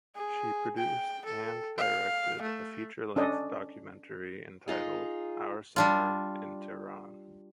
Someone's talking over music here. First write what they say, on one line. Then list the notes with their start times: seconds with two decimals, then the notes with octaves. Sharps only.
She produced and directed a feature-length documentary entitled "Our Summer in Tehran".
0.15 G#4
0.78 G5
1.25 A4
1.78 F5
2.42 A3
3.16 C#4 D4 A4 D#5
4.68 D#4 F4 G#4
5.76 G3 D4 F4